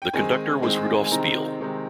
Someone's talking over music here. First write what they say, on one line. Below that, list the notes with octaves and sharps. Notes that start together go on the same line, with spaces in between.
The conductor was Rudolph Speil.
G5
D#3 G#3 C4 D#4 G#5
D#3 G#3 C4 D#4
G#5
C3 D#3 G#3 C4 D#4 A#5
C3 D#3 G#3 C4 D#4